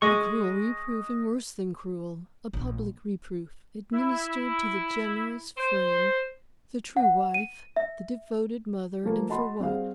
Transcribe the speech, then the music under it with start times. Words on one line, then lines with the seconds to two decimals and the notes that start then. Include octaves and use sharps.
A cruel reproof, and worse than cruel, a public reproof, administered to the generous friend, the true wife, the devoted mother--and for what?
0.02 G#3 D#5 C#6
2.53 A#1
3.93 E4
5.57 C5
6.97 F#5
7.34 D#7
7.76 E5
9.04 F3 A3 A#3
9.30 F#4 D#5 A5 B5 C6
9.59 G3 C4 F#4 G#4 F5